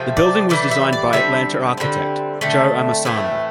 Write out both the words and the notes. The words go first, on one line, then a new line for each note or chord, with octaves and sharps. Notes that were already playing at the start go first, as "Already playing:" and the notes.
The building was designed by Atlanta architect, Joe Amisano.
Already playing: C3 F3 A3 C4
D5
A2 E3 G3 D5
E5
D5
D3 G3 C4 E5
D3 G3 C4
D3 A3 C4
A2 E3 A3 C4